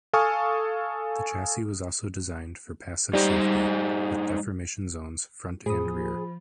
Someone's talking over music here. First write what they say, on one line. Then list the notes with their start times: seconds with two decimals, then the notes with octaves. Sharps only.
The chassis was also designed for passive safety, with deformation zones front and rear.
0.13 A4 F5 G#5 C#6 D#6 F6
3.13 G2 G3 D#4 C5
5.66 A2 F3 F4 G#4 C5 B5 D#6